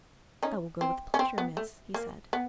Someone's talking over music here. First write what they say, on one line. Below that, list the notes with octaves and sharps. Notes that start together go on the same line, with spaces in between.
"I will go with pleasure, miss," he said.
C#4 D#4
C4
C#4
C4
B3
A3
A#3
B3